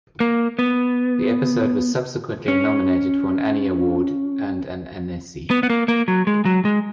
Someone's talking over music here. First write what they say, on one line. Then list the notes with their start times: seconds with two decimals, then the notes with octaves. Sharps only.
The episode was subsequently nominated for an Annie Award and at Annecy.
0.20 A#3
0.59 B3
2.48 C#4
5.50 B3
5.63 B3
5.70 A#3
5.88 A#3
6.08 F#3
6.27 G#3
6.45 F#3
6.65 G#3